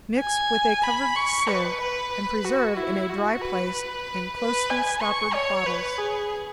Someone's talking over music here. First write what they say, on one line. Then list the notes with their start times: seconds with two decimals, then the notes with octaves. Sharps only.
Mix with a covered sieve and preserve in a dry place in closely stoppered bottles.
0.20 G#5
0.84 B5
1.16 C#6
1.48 B4
1.81 B4
2.13 B4
2.45 F#4
2.77 E4
3.09 F#4
3.41 B4
4.38 B4
4.70 G#5
5.02 C#6
5.33 C#5
5.66 B4
5.98 G#4